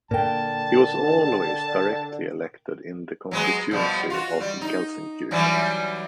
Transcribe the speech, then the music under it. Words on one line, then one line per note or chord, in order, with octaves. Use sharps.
He was always directly elected in the constituency of Gelsenkirchen.
A#2 D3 A#4 G5 A5
F#3 G#3 B3
B2 F3 G3
F4 F#4
G3
D#4
E3 F#3 G3